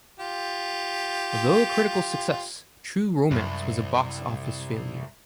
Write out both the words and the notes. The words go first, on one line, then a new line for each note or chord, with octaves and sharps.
Although a critical success, "True Romance" was a box office failure.
F4 G4
C2 F#2